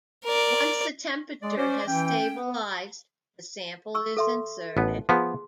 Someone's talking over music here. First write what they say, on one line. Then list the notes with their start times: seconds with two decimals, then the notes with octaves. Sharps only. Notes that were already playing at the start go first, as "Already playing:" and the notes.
Once the temperature has stabilized the sample is inserted.
0.24 A#4 D5
1.43 G#3 D5
1.57 C#4 C5 D5
1.87 E3 C#4 G5
2.34 B3
3.95 C#6 E6
4.17 A4 E5 C6
4.77 A1 B3 A5
5.09 F3 B3 G#4 C6